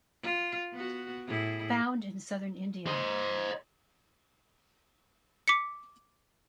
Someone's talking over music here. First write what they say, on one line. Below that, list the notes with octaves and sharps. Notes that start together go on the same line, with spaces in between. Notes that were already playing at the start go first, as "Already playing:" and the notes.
Found in southern India.
F4
B3 F#4
A2 E4 G#4
C5 D#5
D6 B6 C#7